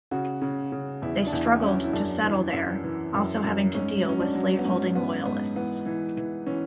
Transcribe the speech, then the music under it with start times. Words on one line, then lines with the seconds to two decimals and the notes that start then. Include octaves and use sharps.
They struggled to settle there, also having to deal with slaveholding Loyalists.
0.11 C#3 F#4
0.41 C#3
0.72 C#3
1.02 E2 E4
1.27 D4
1.33 E2 E4
1.62 F#3 C#4
1.84 E4
1.93 F#2 D4
2.23 E3
2.53 F#2
2.84 E3
3.14 F#2
3.44 F#2
3.74 G#2 C#4
4.05 F#3 C#4
4.20 D4
4.35 F#3
4.58 B3
4.65 G#2 C#4
4.95 G#2 B3
5.25 G#2 B3
5.56 E3 B3
5.86 E3
6.17 E3
6.47 E3 C#4